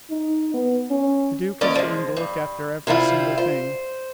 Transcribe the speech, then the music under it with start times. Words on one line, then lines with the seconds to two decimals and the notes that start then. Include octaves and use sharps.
The duke is going to look after every single thing.
0.10 D#4
0.54 B3
0.90 C#4
1.61 D#2 C#4 D5 D#5
1.75 F3 G#3
2.16 G2
2.87 C3 G3 E4 F4
3.38 C5